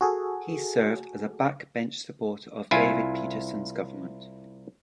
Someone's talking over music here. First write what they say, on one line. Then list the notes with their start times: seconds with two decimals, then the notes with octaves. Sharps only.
He served as a backbench supporter of David Peterson's government.
0.01 F#4 G#4 A4
2.71 C2 E4 F4 G#5